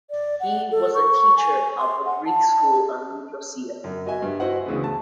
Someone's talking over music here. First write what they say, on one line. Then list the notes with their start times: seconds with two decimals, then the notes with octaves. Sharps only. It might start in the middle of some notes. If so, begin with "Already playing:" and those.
He was a teacher of the Greek School of Nicosia.
0.10 D5
0.40 F#5
0.71 A4
0.95 C#6
1.37 G#5
1.78 C6
2.05 F#5
2.26 A5
3.84 F#2
4.06 F#4 D#5 E5 G#5
4.22 G2
4.40 E4 F#4 C5 D#5 F#5
4.66 D2 C#3 E3 B3
4.84 A5